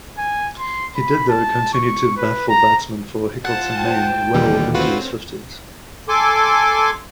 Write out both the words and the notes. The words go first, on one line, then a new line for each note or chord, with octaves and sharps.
He did, though, continue to baffle batsmen for Hickleton Main well into his fifties.
G#5
C6
B5
A5
C#6
B4
A#5
F4 C5 F#5 A5
G5
D#2 B2 D3 E3 G3
C4 C#4 F4 F#4 B4
A4 G#5 C6 D6